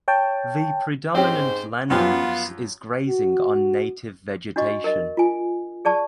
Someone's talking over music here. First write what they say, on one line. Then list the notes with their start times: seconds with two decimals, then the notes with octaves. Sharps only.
The predominant land use is grazing on native vegetation.
0.08 C#5 G5 A5
1.15 G#2 C4 C#4 G4 C5
1.90 F#2 F3 B3 F4 G4
3.08 F#4
4.56 D4 F#4 D#5 C#6
4.84 A#4 D#5
5.17 F4 G#5
5.85 G#4 D5 A5 C#6